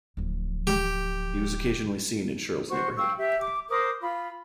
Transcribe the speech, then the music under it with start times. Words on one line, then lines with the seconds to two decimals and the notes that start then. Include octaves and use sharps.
He was occasionally seen in Shirl's Neighbourhood.
0.17 D1 F3
0.67 G4
2.69 F#4 C5 C#6
2.98 F5 G5 C#6 E6
3.18 G4 E5
3.39 D6
3.69 A#4 C5 D6 D#6
4.01 F4 B5